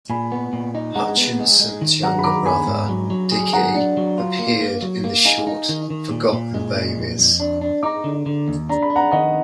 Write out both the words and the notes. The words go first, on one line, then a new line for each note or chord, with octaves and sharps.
Hutchins's younger brother Dickie appeared in the short "Forgotten Babies".
A#2 G#5 B5
B3
A#2
D#4
G#3 F#5 A#5
B3
G#3
G#3
D#3
F#3 F#5 A#5
B5
D#3 A#5 D6
B3 G#5 B5
G#2
F#3
F#3
G#4
F#3 F#5 A#5
D4
F#3
F4
A#3
A#3
F#3
A#3
D#4 F5 G#5
D#4
D#3
D#3
A#2
A#2
G#3
A#2
F2
F2
D4
D4
D#4 A#5 D6
D3
D3
D#2
D4 A#5
B5
D4
F#5 A#5
D#3 D#5 F#5